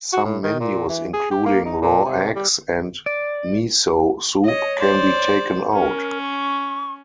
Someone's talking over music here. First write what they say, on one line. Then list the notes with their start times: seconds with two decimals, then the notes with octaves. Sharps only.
Some menus including raw eggs and miso soup can be taken out.
0.13 F#4
0.25 A2
0.44 D#3
0.60 A#2
0.89 E3
1.14 G#4
1.31 G4
1.46 A#3
1.66 D#4
1.82 A#2
2.05 C3
2.35 G3
3.06 D5
4.45 C#5 D#5
4.79 C5 D5
5.74 C#4 A#4
6.22 C#6